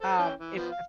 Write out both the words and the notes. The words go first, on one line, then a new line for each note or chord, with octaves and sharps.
Um, if if
A4 C5
E3 C#4 G5
E3
F3 B3
F5